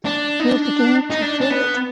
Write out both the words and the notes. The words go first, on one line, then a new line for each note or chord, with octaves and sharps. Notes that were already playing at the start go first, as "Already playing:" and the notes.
You begin to feel it.
D4
D#4
D4
D#4
D4
D4
B3